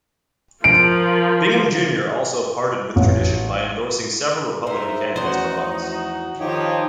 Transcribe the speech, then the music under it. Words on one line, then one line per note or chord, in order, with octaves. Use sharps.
Bingham Junior also parted with tradition by endorsing several Republican candidates for office.
F3 A#4 D7
A1
D#4 G#4 A#4 C5 E5
E2 F3 A3 C#4 D#4 F#4 C5
F#4
D#3 F3 D#4 G4 C#5 D6 D#6